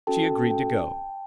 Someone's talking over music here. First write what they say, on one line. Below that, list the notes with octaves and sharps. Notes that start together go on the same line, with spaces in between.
She agreed to go.
C#4 F#4 A4 G5 A5
G5 A5